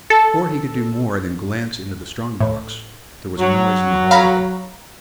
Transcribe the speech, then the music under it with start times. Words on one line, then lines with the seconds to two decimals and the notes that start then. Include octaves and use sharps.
But before he could do more than glance into the strong box, there was a noise in the hallway.
0.10 A4
2.40 A2
3.39 F#3
4.11 F5 A#5 B5